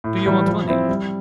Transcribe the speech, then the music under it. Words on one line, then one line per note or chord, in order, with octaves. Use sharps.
Do you want money?
A2
E3 G3
F3
C4 E4
G3